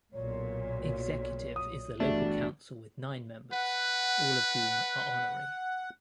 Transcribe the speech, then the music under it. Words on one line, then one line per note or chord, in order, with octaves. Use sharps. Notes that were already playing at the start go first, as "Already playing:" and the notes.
Executive is the local council with nine members, all of whom are honorary.
B1 A#2 C#5
D#6
G1 E3 G3 A3 D4 F#4
B4 F#5